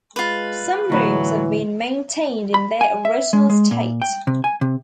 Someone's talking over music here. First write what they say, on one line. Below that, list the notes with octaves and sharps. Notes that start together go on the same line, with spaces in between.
Some rooms have been maintained in their original state.
G#3 F4 B4
D2 A2 E3 F#3 B5
B5
G#5
E5
G#3
G#3
A#2
G5
C3
G#5
C3